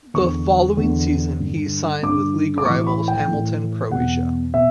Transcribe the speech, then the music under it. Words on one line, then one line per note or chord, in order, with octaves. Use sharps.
The following season he signed with league rivals Hamilton Croatia.
E2 D3 C#6
E2 D3
G2 D3
G2 D3 D6
D6
A2 E3 C#6
B5
G5
A2 E3
E2 B2 F#5
B2 E5